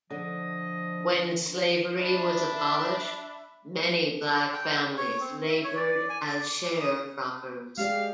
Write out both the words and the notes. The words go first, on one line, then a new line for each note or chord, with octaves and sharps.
When slavery was abolished, many black families labored as sharecroppers.
D3 F3 D#5
D4 E5 B5
G5
C#5
C4
E5
C#5
D5
G#5
D5
D6
D#6
G#3 G4 D5 F5